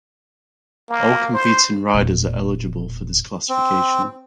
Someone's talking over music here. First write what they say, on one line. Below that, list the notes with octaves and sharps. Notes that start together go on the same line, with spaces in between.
All competing riders are eligible for this classification.
A#3
C5
E1 A#2
C4